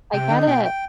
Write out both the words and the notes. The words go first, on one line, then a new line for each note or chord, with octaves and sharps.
I get it.
C3 G5
D3 D#4
B2 G5
G5